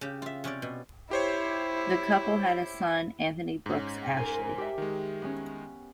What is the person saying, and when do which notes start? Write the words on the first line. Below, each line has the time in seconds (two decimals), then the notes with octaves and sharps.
The couple had a son, Anthony Brooks Ashley.
0.01 C#3 G4
0.22 F4 E5
0.44 C3 C#4 C#5 D5
0.62 B2
1.11 E4 G4 C5 C#5
3.66 G#2 C#4
4.17 A#4 C5 G#5
4.58 G4 E5
4.78 D#3 G#3
5.22 B3 C#4